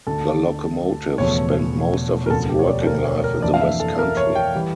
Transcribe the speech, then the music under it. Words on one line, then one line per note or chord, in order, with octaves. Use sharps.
The locomotive spent most of its working life in the West Country.
D2 D3 A3 D4 A4
E1 E2 C#3 F3 A3 C#5
A#4
E1 D2 D3 F3 A3 A4
G4
C#5
D5
A4
A#4
C#5
A#4
F2 E3 A#3 D4 D5
F5
E5
A4
A#4
C#5
G5
E3 G3